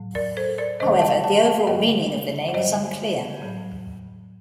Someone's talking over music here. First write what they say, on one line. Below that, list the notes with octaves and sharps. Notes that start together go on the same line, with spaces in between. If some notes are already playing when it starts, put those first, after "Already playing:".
However, the overall meaning of the name is unclear.
Already playing: A2 F#3
A#4 D5
A4 C5
A#4 D5
D2 C3 D#3 G3 C5 D#5
A5
D#5 G5
F#5 A5
F#5 A5
G2 D3 G3 D#5 G5
F#5
G2 D3 G3 C5 D#5
A2 F#3